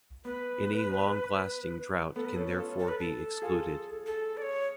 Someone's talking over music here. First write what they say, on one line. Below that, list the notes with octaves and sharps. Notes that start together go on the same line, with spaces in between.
Any long-lasting drought can therefore be excluded.
B3 B4
B3 A4
B4
C#4 A4
A4
C#4 F4
A4
B4
A4
F4 G#4
A4
D5
C#5